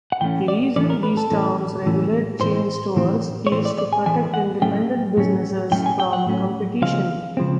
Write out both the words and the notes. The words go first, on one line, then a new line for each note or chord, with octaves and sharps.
The reason these towns regulate chain stores is to protect independent businesses from competition.
F#5
A2 E3 A3 C#4 G5
D5
A2 E3 A3 C#4 D5
A#4
B4
A4
A2 E3 A3 C#4
A2 E3 A3 C#4
A2 E3 A3 C4 C5
A2 E3 A3 C4
C#5
A2 E3 A3 C4 C5
D5
D5
G#5
A2 E3 A3 C4 G#5
F#5
A2 F#3 A3 C#4 G5
A2 F#3 A3 C#4
A2 F#3 A3 C#4 G5
G#5
G5
F#5
A2 F#3 A3 C#4
C#3 F3 G#3 C4 F5
C#3 F3 G#3 C4